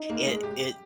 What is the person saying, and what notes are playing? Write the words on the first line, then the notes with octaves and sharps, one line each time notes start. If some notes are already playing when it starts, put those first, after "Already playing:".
it it
Already playing: D#4
A#3
G#3
G4
G4